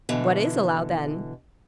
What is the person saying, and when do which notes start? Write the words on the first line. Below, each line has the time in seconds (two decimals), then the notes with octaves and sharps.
"What is allowed, then?"
0.09 B2 D3 E3